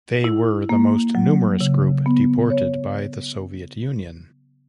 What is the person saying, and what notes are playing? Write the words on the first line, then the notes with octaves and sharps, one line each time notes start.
They were the most numerous group deported by the Soviet Union.
E4
A#3
F#3
C#3
B3
C#5